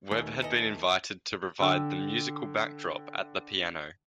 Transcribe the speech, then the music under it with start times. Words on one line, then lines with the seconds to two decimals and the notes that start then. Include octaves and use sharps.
Webb had been invited to provide the musical backdrop at the piano.
0.11 D#2 G#3 A3
0.42 E3 A4 D#5
1.60 D3 G5 E6